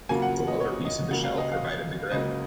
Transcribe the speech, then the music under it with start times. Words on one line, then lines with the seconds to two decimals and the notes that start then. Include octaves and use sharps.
The lower piece of the shell provided the grip.
0.09 F2 C#3 F#3 A#3 G#5
0.22 F#5
0.47 D#5
0.60 C#5
0.85 D#5
1.11 C#2 C#3 F#3 A#3 F#5
1.24 F5
1.38 D#5
1.52 F5
2.12 C#2 C#3 F#3 A#3 D#5